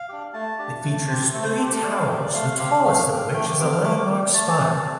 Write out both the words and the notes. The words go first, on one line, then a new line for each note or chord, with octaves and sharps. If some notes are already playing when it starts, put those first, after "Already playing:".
It features three towers, the tallest of which is a landmark spire.
Already playing: F5
D4 G4
A3 A5
D4 G4
A3
C4 G4
A3 A4
C5
A4
C4 G4 C5
A4
A3 D5
F5
C4 G4 C5
D5
A3 F5
C4 G4 F5
A3 F5
C4 G4
A3 G5
D6
C4 G4 D6
F6
A3 D6
C4 G4
A3 A5
C4 G4
C4